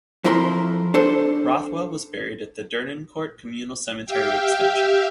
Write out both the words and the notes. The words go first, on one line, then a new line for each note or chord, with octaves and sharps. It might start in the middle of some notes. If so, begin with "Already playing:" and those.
Rothwell was buried at the Dernancourt Communal Cemetery Extension.
F2 F3 E4 A#4 A#5 C6
D4 A4 C5
G4 E5 F5 G5